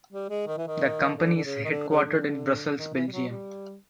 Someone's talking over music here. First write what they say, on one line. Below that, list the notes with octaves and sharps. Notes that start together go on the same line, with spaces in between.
The company is headquartered in Brussels, Belgium.
G3
G#3
D#3
E3
D#3
D3
D3
C#3
D#3
D3
C#3
D3
D#3
E3
G3
F#3
G3